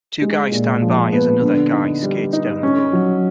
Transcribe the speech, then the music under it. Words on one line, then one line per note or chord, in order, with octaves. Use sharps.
Two guys stand by as another guy skates down the road.
G#3
A#2
F3
B3
D3
D#4
G3
D#4
C#4
F#3